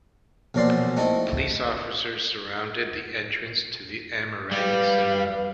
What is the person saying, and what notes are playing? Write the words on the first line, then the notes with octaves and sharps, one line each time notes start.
Police officers surrounded the entrance to the Amirani Cinema.
B1 A#2 F3 F#3 D5 C6
A3 C4 D#4 E4 A4
G3 B4 F5